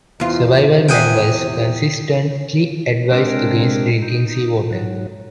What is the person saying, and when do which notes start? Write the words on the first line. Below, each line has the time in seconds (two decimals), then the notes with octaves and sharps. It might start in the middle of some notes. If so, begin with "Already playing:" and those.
Survival manuals consistently advise against drinking seawater.
0.20 E2 C3 F4
0.89 E2 G#4 F#5 G5
3.11 C3 G#3 C4 D4 A#4
4.02 D#4
4.71 G#2 F#3